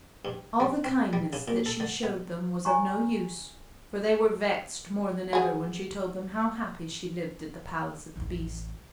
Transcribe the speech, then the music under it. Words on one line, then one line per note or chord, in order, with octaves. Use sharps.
All the kindness that she showed them was of no use; for they were vexed more than ever when she told them how happy she lived at the palace of the beast.
G2
G3
C4
G3
C#3
A#2
A4
D3
B3
G#5 A#5 C#6
F#4 G#4
A1 E2